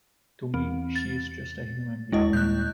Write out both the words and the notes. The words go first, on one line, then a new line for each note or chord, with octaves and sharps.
To me, she's just a human being.
E2 C4
A6
D#2 G#3 D4 E4 D#5
D#2 A#2 G3 F#6 G6